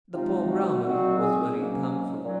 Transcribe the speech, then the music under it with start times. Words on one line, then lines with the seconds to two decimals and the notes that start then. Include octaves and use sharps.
The poor Brahmani was very thankful.
0.13 C3 F3 G#3 C4 D#4 F4
0.49 F#4
0.84 A#2 F#3 C4 D#4 F#4
1.19 G#4
1.55 G#2 F#3 A#3 C#4
2.25 A#2 F#3